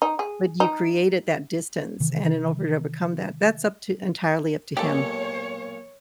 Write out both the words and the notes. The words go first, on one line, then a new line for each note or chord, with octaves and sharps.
But you created that distance and in over to become that that's up to entirely up to him.
D#4
G#4
D#4
C3 D#3 E3
B1 A#2 G#3 G4 A4 C#5